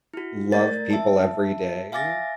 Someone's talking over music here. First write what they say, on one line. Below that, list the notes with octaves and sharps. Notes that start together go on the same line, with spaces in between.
love people every day,
E4 F#4
A3 A#4 D5 A6
E5 A5
E5 F5 G#5 D6 A6 A#6